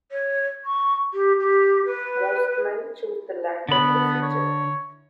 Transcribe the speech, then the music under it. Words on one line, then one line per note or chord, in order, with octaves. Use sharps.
Most men choose the latter procedure.
C#5
C#6
G4
G4
B4
D3 B3 B5
C#5